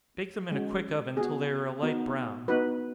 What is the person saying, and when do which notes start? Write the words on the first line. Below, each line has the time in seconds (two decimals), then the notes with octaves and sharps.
Bake them in a quick oven till they are a light brown.
0.52 G#3 C#4 F#4
1.17 B3 F#4 G#4
1.83 B3 D#4 F#4
2.48 B3 D#4 F#4 B4